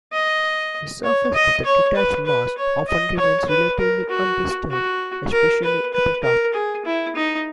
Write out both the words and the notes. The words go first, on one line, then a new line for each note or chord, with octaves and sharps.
The surface of the detached mass often remains relatively undisturbed, especially at the top.
D#5
C#5
D#5
C#5
B4
B4
C#5
D#5
C#5
B4
A#4
F#4
F#4
A#4
B4
B4
A#4
G#4
E4
D#4